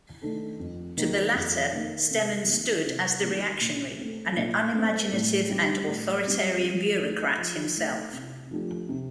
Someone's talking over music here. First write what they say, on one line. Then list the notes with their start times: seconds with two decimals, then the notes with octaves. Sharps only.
To the latter Stemann stood as the reactionary, an unimaginative and authoritarian bureaucrat himself.
0.22 D#3 A3 D4 A4
0.59 F2
0.97 D#3 A#3
1.35 F2
1.73 D#3 A#3
2.11 C3
2.48 D#3 A#3
2.86 C3
3.23 D#3 A#3
3.61 A#2
3.99 A3 C4
4.37 A#2
4.75 A3 C4
5.12 A2
5.49 G3 C4 G4
5.87 A2
6.25 G3 C4 G4
6.63 F3
7.00 A3 D#4
7.38 F3
7.76 A3 D#4
8.13 C3
8.51 F3 A3 D4 G4
8.89 C3